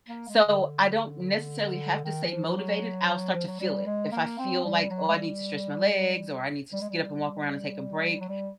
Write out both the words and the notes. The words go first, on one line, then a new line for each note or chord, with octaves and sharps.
So, I don't necessarily have to stay motivated, I'll start to feel it. If I feel like, "Oh, I need to stretch my legs or I need to just get up and walk around and take a break,"
A#3
G#3
D3
D#3
E3
F3
F3
F#3
F3
F#3
G3
G#3
A#3
C4
G3
F#3
G#3
G3
G3
G#3
G3
F#3
G3